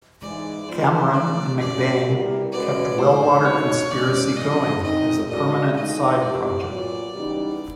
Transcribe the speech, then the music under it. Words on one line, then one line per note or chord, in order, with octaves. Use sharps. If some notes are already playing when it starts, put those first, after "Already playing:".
Cameron and McBain kept Wellwater Conspiracy going as a permanent side project.
G#2 E3 G#3 D5
F3 G#3 B3 C5
D#2 C#3 E3 A3 D5
A#2 F#3 A3 C#4 D5
G3 B3 E4 G4 A#4
G#3 C#4 F#4 B4 D5
F2 C3 D#3 G#3 C5
D#3 F#3 A3 C4 D#4 C#5
G#2 E3 G#3 C#4 D5
D2 C#3 F3 D#5
D#3 G#3 C4 D#4 D#5
G#3 C#4 F#4 A4 D5 D#5
A2 E3 G#3 B3 D#4 D#5
F3 G#3 C4 E4 G4 D5
A#2 F#3 B3
C#3 E3 G3 B3 D#4